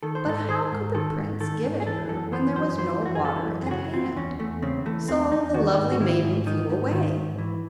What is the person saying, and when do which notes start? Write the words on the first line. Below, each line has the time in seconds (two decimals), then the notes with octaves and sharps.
But how could the prince give it her when there was no water at hand? So the lovely maiden flew away.
0.03 D#3 A4
0.15 C5
0.26 G#2 A4
0.49 D#3 C5
0.72 G#2
0.95 D#3 A4
1.18 G#2
1.40 D#3 A4
1.64 G#2
1.80 G#4
1.86 E3 A4
2.09 F#2 A4
2.32 E3 C5
2.56 F#2 C5
2.78 E3 C5
3.02 F#2 F#4
3.15 G#4
3.24 E3 A4
3.48 F#2
3.67 G#4
3.71 C#3 F#4
3.93 E3 C4
4.16 E2 C#4
4.39 E2 A3
4.62 C#3 C4
4.86 E3 A3
5.08 E2 C4
5.31 E2 D#4
5.54 D#3 F#4
5.78 G#2
5.92 F#4
6.00 D#3 E4
6.23 G#2
6.46 D#3 D#4
6.70 G#2
6.92 D#3
7.16 G#2
7.39 E3